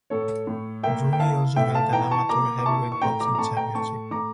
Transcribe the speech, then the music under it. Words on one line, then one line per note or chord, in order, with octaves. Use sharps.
Drury also held an amateur heavyweight boxing championship.
A2 A4 C#5
A2
A#3 E5 G5
G5
E4 F5 A5
A2 E5 G5
F5 A5
E3 G5 A#5
A5 C#6
A#3 A#5 D6
D6
E4 A5 C#6
C#6
A2 G5 A#5
A#5 D6
A#5
A2 A5 C#6
G5 A#5
A2 A5 C#6
A2 A#5 D6